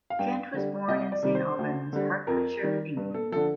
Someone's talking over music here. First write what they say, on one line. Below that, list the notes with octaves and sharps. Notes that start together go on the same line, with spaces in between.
Kent was born in Saint Albans, Hertfordshire, England.
F5
G2 G5
D3 G3
C2 D#5
D5
C3 D#3 G3
C5
D2
D3 G3
F2 A#4
D#3 G3
G2
A4
D3 F3 A4